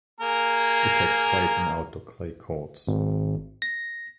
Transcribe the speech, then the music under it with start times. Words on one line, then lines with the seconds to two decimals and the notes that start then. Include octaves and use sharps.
It takes place on outdoor clay courts.
0.21 A#3 G#4 A#4
2.87 G#1
3.62 A#6